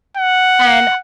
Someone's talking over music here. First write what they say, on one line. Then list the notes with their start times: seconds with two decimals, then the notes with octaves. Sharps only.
And I
0.17 F#5